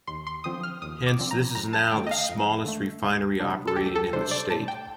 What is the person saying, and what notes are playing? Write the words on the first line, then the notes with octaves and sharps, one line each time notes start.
Hence, this is now the smallest refinery operating in the state.
D#2 C6
C6
D3 F3 C4 D#6
F6
D#2 D#6
D6
D3 F3 C4
A#5
F2 A#5
A5
D3 A3 G5
D#5
F5
F2
D3 A3
D2
C3 G3 D4
A4
D2 G4
A4
C3 G3 D4 C5
D5
A2 A5
G5